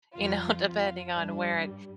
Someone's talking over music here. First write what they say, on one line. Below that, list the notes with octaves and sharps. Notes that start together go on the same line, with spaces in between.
you know, depending on where it
F2 F3 F4
F4
G2 G3 D4